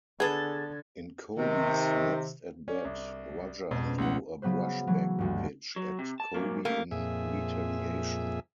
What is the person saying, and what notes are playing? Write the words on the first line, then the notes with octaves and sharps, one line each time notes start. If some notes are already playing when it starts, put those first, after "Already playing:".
In Koby's next at bat, Roger threw a brushback pitch at Koby in retaliation.
D3 B3 G#4 A4 G#6 A6
C3 D#3
C#4 D5
C2
F2 G#2 B2
C#4 B4
C#2 F3 A3 C#4 F#5
C#3 F#3 B3 B4 C5
E3 F#3 A3
G#1 D2 G2
F#3
C3
A5
A#2 F#3 A#3
C#3 G3 A3 A#3
F2 A#2 G#4 E5